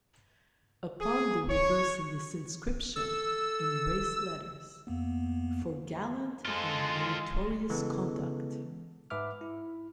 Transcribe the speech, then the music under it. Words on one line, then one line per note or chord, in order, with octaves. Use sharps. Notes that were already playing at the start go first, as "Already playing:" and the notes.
Upon the reverse in this inscription, in raised letters: For gallant and meritorious conduct.
G#4
C#5
A4 E6
F2 A#3 B3
G#3 F4 A4
C#3 E3 G#3 B3 A4
G#2 B4 E5 D6 F6
E4